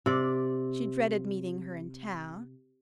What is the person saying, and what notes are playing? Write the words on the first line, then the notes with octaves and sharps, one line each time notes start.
She dreaded meeting her in town.
C3 D5